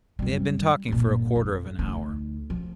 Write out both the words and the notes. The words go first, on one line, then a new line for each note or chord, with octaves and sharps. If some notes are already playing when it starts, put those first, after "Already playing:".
They had been talking for a quarter of an hour.
F#2 G3
G1 A#2
F2
D2 D#4
F3